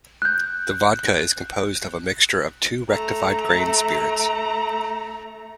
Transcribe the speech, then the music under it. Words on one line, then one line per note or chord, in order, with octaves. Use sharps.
The vodka is composed of a mixture of two rectified grain spirits.
F#6 G6
A3 A#5